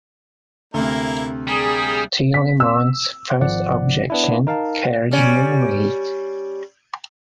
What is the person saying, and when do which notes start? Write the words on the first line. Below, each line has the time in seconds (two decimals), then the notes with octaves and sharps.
Tillemont's first objection carries no weight.
0.74 D2 C3 A#3 E4 A#4
1.47 G3 G#4 A#4
2.34 B6
2.60 E6
3.41 G#1 F3 D5 F#5
4.10 B3 D4 E4
4.47 D#4 A#4 F5 A5
5.11 G3 C#4